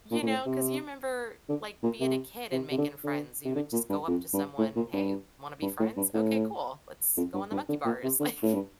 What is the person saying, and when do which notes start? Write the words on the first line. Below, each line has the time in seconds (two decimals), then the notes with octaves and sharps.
You know, 'cause you remember, like, being a kid and making friends, you would just go up to someone, "Hey, wanna be friends? Okay, cool. Let's go on the monkey bars," like,
0.11 A#2
0.23 A#2
0.28 A2
0.46 C3
1.49 D3
1.83 A#2
2.00 C3
2.52 C3
2.71 C3
2.78 D3
3.04 D3
3.45 C3
3.56 D3
3.73 A#2
3.90 G2
4.07 F2
4.33 G2
4.58 A2
4.76 A#2
4.93 G2
5.62 G2
5.80 A2
5.97 G2
6.14 A2
7.17 F2
7.34 G2
7.51 G2
7.69 D3
7.85 A#2
8.03 C3
8.20 D3
8.43 A2
8.54 G2